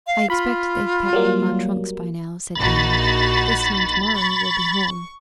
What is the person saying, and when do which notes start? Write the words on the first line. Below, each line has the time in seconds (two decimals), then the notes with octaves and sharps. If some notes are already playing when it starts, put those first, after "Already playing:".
'I expect they've packed our trunks by now,' said Dan. 'This time tomorrow we'll be home.'
0.07 F5
0.30 F4 B5
1.13 F#3 G3 A#3
2.56 A#1 D#4 F#4 B5 A6
4.13 C#6